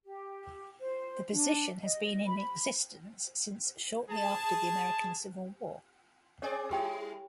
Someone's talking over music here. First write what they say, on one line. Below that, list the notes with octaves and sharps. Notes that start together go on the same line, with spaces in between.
The position has been in existence since shortly after the American Civil War.
G4
C5
D4
D#5
B5
G#4 A5
C4 G#4 C#5 D5
G3 E4 G4 G#4 G5